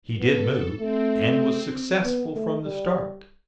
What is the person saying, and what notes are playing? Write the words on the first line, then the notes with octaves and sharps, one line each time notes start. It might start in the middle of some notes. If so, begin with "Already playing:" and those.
He did move, and was successful from the start.
B3 A4
A3 C4
B3
A3
G3